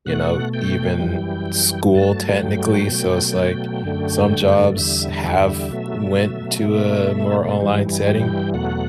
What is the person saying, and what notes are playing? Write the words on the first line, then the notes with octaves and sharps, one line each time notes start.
you know, even school technically. So it's, like, some jobs have went to a more online setting,
B2 A3 F#5
G5
F#2 E3 G3
G2 F#3 A3 A5
F#5
G5
B2 F#3 A3
F#2 D3 A3
E2 D3 G3 E5
E5
B2 F#3 A3
B2 A3
G2 E3 G3
G5
E2 B2 F#3 A3 F#5